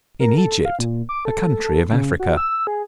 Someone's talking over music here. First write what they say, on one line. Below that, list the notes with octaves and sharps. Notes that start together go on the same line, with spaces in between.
In Egypt, a country of Africa.
A#4
A4
F5
A#2
D6
A4
A4
C#3
F#4
E6
G#4